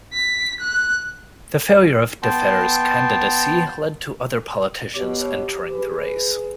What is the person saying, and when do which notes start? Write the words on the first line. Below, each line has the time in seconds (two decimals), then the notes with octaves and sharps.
The failure of Defferre's candidacy led to other politicians entering the race.
0.13 B6
0.61 F#6
2.23 B3 G5 A5 C6
4.95 B2 G4 C#5
5.70 G#4 B4